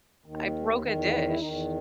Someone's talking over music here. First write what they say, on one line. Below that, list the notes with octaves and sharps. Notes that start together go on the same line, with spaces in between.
I broke a dish.
D#2 D#3
E2 D#3
E4
E2 D#3 D#4